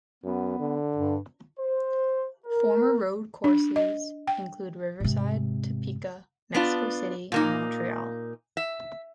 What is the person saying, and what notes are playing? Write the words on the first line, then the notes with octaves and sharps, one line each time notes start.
Former road courses include Riverside, Topeka, Mexico City, and Montreal.
F#2 B3
D3
G2
C5
A#4
D4
D#5
G5
G#2 C3
B3 D4 F4
A#2 A#3 D#4
E5